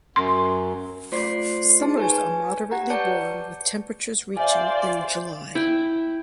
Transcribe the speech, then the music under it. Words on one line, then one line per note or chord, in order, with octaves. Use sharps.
Summers are moderately warm with temperatures reaching in July.
F#2 C6
A3 F4 C5 D5 C6 C7
D#4 G#4 A5
B4 C#5 G#5
G4 F#5 A#5
B4 C#5 D5 A5 G6 C#7
F4 G4 C5 D5 E5 G#5
E4 G5